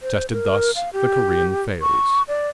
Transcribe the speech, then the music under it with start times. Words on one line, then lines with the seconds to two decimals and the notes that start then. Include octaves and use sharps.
Tested thus, the Korean fails.
0.01 C5
0.32 A#4
0.76 F5
0.93 G4
1.82 C#6
2.28 D5